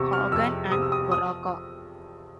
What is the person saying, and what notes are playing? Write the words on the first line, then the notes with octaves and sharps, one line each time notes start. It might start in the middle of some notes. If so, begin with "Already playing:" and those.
Hagen and Goroka.
Already playing: E2 C3 C#6 E6
F6
F2 E6
C3 D#6
E6
D#6
F3 D#6